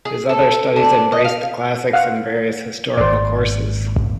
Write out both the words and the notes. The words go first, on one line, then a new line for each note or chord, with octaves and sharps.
His other studies embraced the Classics and various historical courses.
G#4
A4
D4
D#5
F5
F5 F#5
G#1 A#2 C5 D5